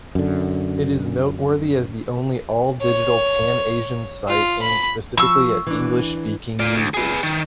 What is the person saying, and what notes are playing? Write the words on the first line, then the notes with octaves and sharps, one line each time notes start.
It is noteworthy as the only all-digital, pan-Asian site aimed specifically at English-speaking users.
F#2 D3
C#5
F4
B5
F3 C#6 E6
E3 D4
F4 D5
D2
G#4 B4
D#3